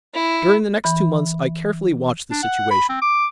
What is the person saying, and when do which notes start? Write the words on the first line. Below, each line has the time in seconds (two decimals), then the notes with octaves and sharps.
During the next two months I carefully watched the situation.
0.14 E4
0.84 E3 B5
2.31 D4
2.43 F#5
2.71 B5
2.89 C4
3.02 D6